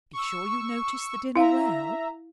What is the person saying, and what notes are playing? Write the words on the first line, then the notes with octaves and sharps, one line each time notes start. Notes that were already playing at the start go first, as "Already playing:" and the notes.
Be sure you notice the dinner well.
C#6 E6
E4 E5 F5 A#5